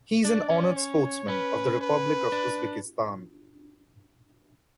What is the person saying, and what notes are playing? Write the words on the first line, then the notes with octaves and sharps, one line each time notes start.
He is an Honored Sportsman of the Republic of Uzbekistan.
D4 D5
C#4
C#5
C#4 B4
B4
D4